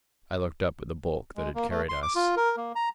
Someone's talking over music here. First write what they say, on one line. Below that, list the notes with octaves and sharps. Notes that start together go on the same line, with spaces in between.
I looked up at the bulk that had carried us.
G#3
A#3
A3
C6
D6
F4
A#4
A#3
A#5